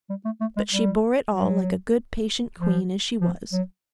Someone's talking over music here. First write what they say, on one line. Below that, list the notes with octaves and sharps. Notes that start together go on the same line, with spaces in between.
But she bore it all like a good patient queen as she was.
G3
A3
A3
G#3
G3
F#3
F3
F3
F#3